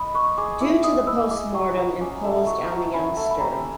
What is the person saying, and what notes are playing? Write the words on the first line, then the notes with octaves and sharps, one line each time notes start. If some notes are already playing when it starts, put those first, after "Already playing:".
Due to the postmortem imposed on the youngster.
Already playing: D#5 B5
B4 C#6
G#4 D6
E4 D6
D#5 D#6
B4 E6
G#4 D6
F#3 C#6
F#3
C#4 D6
A3
F#3 C#6
F#3
C#4 B5
A3
B5
G3 A#5